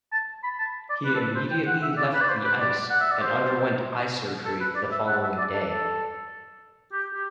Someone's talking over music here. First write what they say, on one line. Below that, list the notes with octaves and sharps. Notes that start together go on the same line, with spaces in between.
He immediately left the ice and underwent eye surgery the following day.
A5
B5
A5
D5
B4
A4
B4
C5
G5
F#5
E5
D5
B4
D5
C5
B4
D5
F#5
E5
D5
C5
A4
B4
D5
E5
F#5
E5
D5
A4
A4
G4
G4